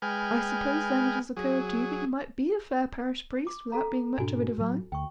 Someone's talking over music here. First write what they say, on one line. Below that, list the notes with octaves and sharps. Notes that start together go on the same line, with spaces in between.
"I suppose, then, it has occurred to you that you might be a fair parish priest without being much of a divine?"
G#3 B4 G5 G#5 F6
F#3 G#4
D6
A4 F5 A#5
G#2 B2 D4 F#4 G#5
A2 F#3
D2 G5 C#6